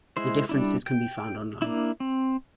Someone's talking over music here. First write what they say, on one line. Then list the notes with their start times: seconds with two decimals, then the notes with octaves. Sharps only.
The differences can be found online.
0.17 G#3 E4 C5
0.49 G3 D4 E4
0.86 G5
1.62 A#3 D4 E4
2.00 C4